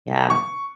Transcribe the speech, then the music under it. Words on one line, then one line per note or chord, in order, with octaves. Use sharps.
Yeah, m
C#6